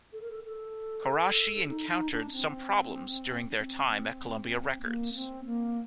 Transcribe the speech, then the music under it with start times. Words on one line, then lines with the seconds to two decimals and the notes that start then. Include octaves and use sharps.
Quarashi encountered some problems during their time at Columbia Records.
0.12 A4
0.21 A#4
0.31 A4
0.44 A4
1.69 D#4
1.89 D#4
2.11 D4
2.32 C4
3.51 D4
3.57 C4
4.83 A#3
5.14 C4
5.45 A#3